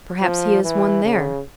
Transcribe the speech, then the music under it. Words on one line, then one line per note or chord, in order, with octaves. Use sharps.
Perhaps he has won there.
F3
E3
C#3